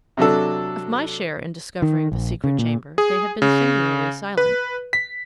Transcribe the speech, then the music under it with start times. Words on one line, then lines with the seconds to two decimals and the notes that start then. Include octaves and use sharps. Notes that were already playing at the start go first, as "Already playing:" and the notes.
Of my share in discovering the secret chamber they have been singularly silent.
0.17 C3 F#3 D4 A4
1.82 D#3
2.12 A#1
2.44 C#3
2.59 A#2
2.98 G#4
3.42 C#3
4.37 B4
4.93 B6